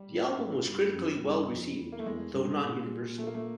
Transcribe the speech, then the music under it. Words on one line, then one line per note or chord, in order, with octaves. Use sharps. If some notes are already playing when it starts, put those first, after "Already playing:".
The album was critically well-received, though not universally.
Already playing: G3
A2
G#2
G2
F#2
G2
F2
E2
A#3
A3
E2 G#3
G2
A#2
A3
A#3
A3